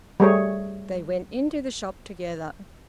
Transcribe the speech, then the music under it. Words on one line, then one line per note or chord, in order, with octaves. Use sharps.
They went into the shop together.
G3 A3 G#4 C#5